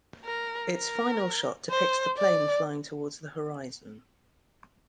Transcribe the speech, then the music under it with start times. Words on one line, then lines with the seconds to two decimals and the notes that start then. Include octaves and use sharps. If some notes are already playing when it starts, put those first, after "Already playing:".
Its final shot depicts the plane flying towards the horizon.
0.25 A#4
0.73 A#4
1.70 C5
2.18 D5